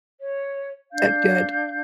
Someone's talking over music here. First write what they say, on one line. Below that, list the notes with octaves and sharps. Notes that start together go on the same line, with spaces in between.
That good.
C#5
D4 F5 G6